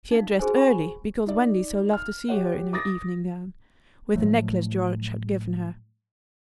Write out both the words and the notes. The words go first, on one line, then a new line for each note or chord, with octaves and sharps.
She had dressed early because Wendy so loved to see her in her evening-gown, with the necklace George had given her.
D#4 F5
F#4 G#4 A4 B4 C5 G#5
A4 F#5 G#5 B5 C#6
G#5
D#4 D5
F6
G4 C#5 F#5
D6 D#6 A6 A#6
A2 F3 F#3 A3